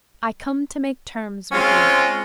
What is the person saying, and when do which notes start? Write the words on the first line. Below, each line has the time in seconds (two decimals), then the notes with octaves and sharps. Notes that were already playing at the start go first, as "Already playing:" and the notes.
I come to make terms with you.
1.52 G#3 C4 C#4 F4